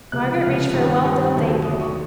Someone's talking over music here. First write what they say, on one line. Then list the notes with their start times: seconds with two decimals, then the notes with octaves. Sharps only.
Margaret reached for a well-filled date-book.
0.12 C#2 C3 F3 F#6
0.42 C#2 C3 F3 F6
0.74 G2 D#3 G3
1.04 G2 D#3 G3
1.35 D#2 D3 F#3 A3
1.65 D#2 D3 F#3 A3 D#6
1.81 C#6